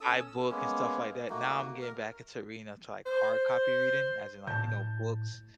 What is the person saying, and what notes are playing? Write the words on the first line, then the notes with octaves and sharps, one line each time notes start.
iBook and stuff like that, now I'm getting back into reading into, like, hard copy reading, as in, like, you know, books
C#4 A4 D#6 E6
E6
G#3 A#3 B3 C#4
A3 A#3 D#4 F#4
A#4
C5
A2 A5 G6